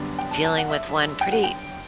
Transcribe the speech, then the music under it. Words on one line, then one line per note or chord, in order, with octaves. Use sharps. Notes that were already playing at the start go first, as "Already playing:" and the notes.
dealing with one pretty
Already playing: F#2 D3 G3 B3 D4
G5
A5
A5
F#5
E5
G5
F#5
G5